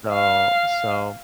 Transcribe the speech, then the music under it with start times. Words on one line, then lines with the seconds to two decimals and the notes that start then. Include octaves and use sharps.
So so
0.12 F5